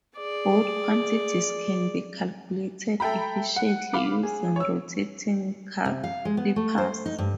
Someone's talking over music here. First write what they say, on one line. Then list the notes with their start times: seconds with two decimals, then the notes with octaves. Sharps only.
Both quantities can be calculated efficiently using rotating calipers.
0.18 G#4 D5
3.00 A4 E5 G5 A#5 B5
3.56 F#5
3.93 F5 B5 D6
4.23 G#4
4.56 C#5 E6
5.85 C3
6.03 F5
6.25 G#3
6.37 B3
6.56 A3
6.78 C5
7.06 D#4
7.18 G2